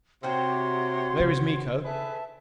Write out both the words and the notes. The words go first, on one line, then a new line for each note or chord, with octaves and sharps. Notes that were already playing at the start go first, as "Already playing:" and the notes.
"Where is Miko?"
C3 A#3 F#4 G4 C#5 F#5 C6
C#3
G#4 A4 B4 E5 A5